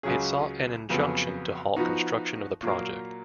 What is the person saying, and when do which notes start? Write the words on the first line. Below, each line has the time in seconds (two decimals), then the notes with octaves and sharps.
It sought an injunction to halt construction of the project.
0.03 C#2 C#3 F#3 C#4 G#4
0.89 F2 C#3 F#3 B3
1.76 F3 B3 D#4 F#4
2.63 A#2 F#3 A#3